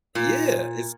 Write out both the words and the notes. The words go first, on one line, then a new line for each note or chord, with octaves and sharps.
Yeah, it's
A#2